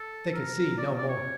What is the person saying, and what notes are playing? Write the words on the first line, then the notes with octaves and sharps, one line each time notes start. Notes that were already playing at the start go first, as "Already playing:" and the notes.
They could see no more.
Already playing: A4
A#4
D5
D5
C#5